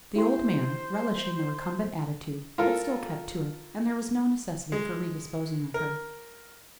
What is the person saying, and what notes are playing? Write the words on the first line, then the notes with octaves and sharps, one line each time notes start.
The old mare, relishing the recumbent attitude, had still kept to it; and there was no necessity for re-disposing of her.
E4 G4 C5 C6
F4 A4 A#4
G#3
A#4